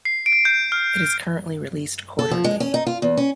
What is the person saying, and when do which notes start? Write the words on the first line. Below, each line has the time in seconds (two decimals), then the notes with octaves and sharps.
It is currently released quarterly.
0.05 C7
0.26 D7
0.45 G6
0.72 F6
2.19 A4
2.31 F3
2.44 G#3
2.60 C#4
2.74 D#4
2.87 F4
3.02 E2
3.17 C#4